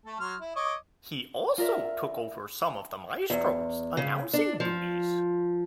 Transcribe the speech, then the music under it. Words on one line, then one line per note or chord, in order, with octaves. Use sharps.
He also took over some of the maestro's announcing duties.
A3 A4
F#3 C6 F6
E4
C#5 D#5 D6
F4 A#4 D5 E5
E2
C#3
D4
F3